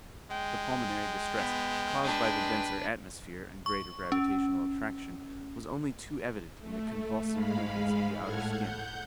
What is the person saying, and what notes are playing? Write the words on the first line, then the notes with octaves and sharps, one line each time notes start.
The pulmonary distress caused by the denser atmosphere and greater gravitational attraction was only too evident in the convulsive movements of the outer skin.
G#3 G5
B3
D4 B4
C#6
C#4
A3
G#2 G#3 F5 B5
A2 A3 F#5 F6 G#6
F#5 G6